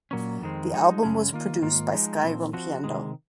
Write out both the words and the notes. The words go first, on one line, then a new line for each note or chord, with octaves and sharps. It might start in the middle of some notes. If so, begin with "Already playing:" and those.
The album was produced by Sky Rompiendo.
A#2 F#3 A#3 C#4
F2 D#3 G#3 C4
F3 G#3 D#4 F#4
F#2 C#3 G#3 C#4
D#3 A#3 F4
G#2 D#3 A#3 F4
F3 G#3 D#4
A#2 F3 C4
F3 C4 F#4
C3 D#3 G#3